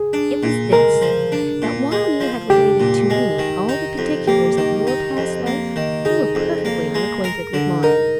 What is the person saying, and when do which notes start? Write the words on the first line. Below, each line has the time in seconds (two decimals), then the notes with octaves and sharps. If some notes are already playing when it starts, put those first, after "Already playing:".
"It was this,--that while you had related to me all the particulars of your past life, you were perfectly unacquainted with mine."
Already playing: G#4
0.13 D4
0.43 A#2
0.72 G#3 A#4
1.02 F3
1.32 D4
1.62 A#2
1.91 G#3
2.20 F3
2.50 D4 G4
2.80 A#2
3.10 G#3
3.39 D#3
3.69 D#4
3.98 F2
4.28 A#3 G4
4.57 D#3
4.87 D#4
5.17 F2
5.46 A#3
5.76 D#3
6.05 D#4 G#4
6.35 F2
6.65 A#3
6.94 G#3
7.24 A#4
7.54 D3
7.83 D#4 A#4